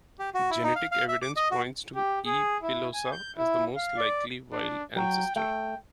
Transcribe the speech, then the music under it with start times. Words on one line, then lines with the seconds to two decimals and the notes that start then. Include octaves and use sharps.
Genetic evidence points to "E. pilosa" as the most likely wild ancestor.
0.19 G4
0.34 F#4
0.50 E4
0.64 D#4
0.76 F5
0.92 F5
1.08 E5
1.22 D6
1.36 D#5
1.51 F#4
1.95 G4
2.25 G#4
2.62 E4
2.94 G#5
3.12 G6
3.38 E4
3.76 F5
3.97 D5
4.52 D4
4.96 F#3 G5
5.36 A3 G5